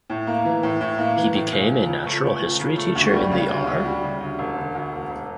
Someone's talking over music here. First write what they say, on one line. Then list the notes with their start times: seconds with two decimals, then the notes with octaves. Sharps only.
He became a natural history teacher in the R.?
0.10 A2
0.27 A#3
0.45 E3
0.63 A2
0.81 A2
0.98 A#3
1.16 E3
1.35 A2
1.53 C#2
1.70 F3
1.88 C#3
2.06 A3
2.24 C#2
2.42 F3
2.60 C#3
2.78 A3
2.95 D2
3.13 G3
3.32 C#3
3.49 D2
3.67 D2
3.85 G3
4.03 C#3
4.20 D2
4.39 E1
4.57 D3
4.75 D2
4.93 E1
5.10 E1